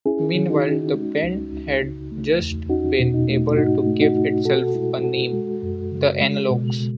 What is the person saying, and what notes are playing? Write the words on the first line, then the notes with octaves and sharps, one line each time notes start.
Meanwhile, the band had just been able to give itself a name: The Analogs.
C#4 E4 G#4
D#3
D#4 F#4
C#4
G#3
C#2
C#2
C#3
A3
E2
C#4 D#4 F#4
B2
D#4
A3
G#2 D#4 F#4
A3
D#4 F#4
A3
B2 F#4 A4
G#3 E4
B2 F#4 A4
G#3
F#2
C#3
G#3
B2